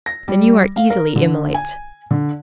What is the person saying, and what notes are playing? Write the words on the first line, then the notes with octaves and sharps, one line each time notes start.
Then you are easily immolate!'
A#6
G3
F5
A#4
D3
G#5
D3